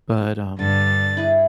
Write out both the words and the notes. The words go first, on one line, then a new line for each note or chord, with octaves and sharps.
But, um,
G2 D3 A6
E4 G#4 B4